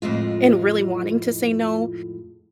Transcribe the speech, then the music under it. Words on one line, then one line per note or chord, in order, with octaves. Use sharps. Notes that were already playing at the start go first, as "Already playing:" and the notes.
and really wanting to say "no,"
F2 A2 G#3 F4